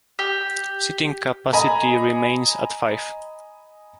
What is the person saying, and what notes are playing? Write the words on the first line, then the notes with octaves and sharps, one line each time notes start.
Seating capacity remains at five.
G4
D#5 G#5 A#5 B5